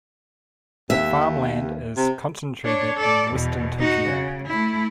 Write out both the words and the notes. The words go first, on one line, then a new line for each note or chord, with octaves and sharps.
The farmland is concentrated in Western Tokyo.
D#2 E5
C3
D4 C#5
A4 D5
E2 B2
D#4 F#4
C#3
A3 E4